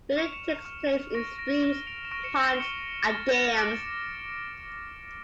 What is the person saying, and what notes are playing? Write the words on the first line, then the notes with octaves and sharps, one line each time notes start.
Breeding takes place in streams, ponds and dams.
C#6 F6 E7
F7
C#7 E7
C#6 F6
C#6 F6 A#6 D7
A#6 D7
C#6 F6 E7 G7
D7 F7
E7
C#6 F6 A#6 D7
C#7 E7
C#7 E7
E7 G7
C#6 F6 C#7 E7
A#6
C#6 F6 A6
C#7 E7
D6 F6 A#6 D7